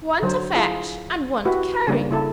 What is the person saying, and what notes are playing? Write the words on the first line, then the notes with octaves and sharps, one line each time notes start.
One to fetch, and one to carry.'
D3 F#3 C5
E4 F4 G#4
E4 F#4 G4 B4
C#3 G3 A#3 D4
C#3 E4 A4